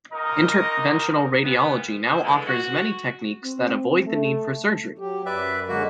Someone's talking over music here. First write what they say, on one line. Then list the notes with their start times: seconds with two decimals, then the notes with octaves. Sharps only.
Interventional radiology now offers many techniques that avoid the need for surgery.
0.12 C#2 D#4 A#4 D#5
1.44 A#2 E3 B3
2.04 D#2 G#4 C5
2.23 D3 E3 G#3
2.47 F#4
3.43 C4
4.06 A3
4.99 F#3 G4
5.26 F#2 B4 D5 E5
5.69 D3 F#3 G#3 A#3 F#4